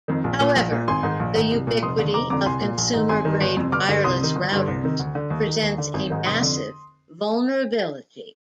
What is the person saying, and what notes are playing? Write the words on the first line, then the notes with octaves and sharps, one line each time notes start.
However, the ubiquity of consumer grade wireless routers presents a massive vulnerability.
F2 D#3
A#1
A#2
A#1
A#2
G#1 G#5 C6
G#2 D#3
A#1
G#2 D#3
C2
A#2
F1 C6 D#6
D#2 D3
F1 A#5 D6
F2 D3 A#5 D6
C2 G#5 C6
A#2
A#1
G#2 D#3
G#1 G#5 C6
G2 D#3
G1
F2 C3
G1 D6 F6
G2 D3
C2 C6 D#6
C3 D#3
G1
G2 D3
C2
C3 D#3
D2
D3
D#2
D#3
D#2
D3
G#1
G#2 D#3
F1 C6 D#6
F2 D3